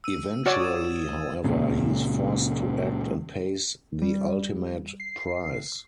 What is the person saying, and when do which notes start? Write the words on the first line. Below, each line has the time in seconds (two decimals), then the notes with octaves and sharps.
Eventually, however, he is forced to act and pays the ultimate price.
0.04 E6 D#7
0.46 F#4 C#5 D5 G#6 A6 E7
0.60 D#6 D#7 E7
1.44 C#2 A#2 C#3
4.02 G3
5.00 C7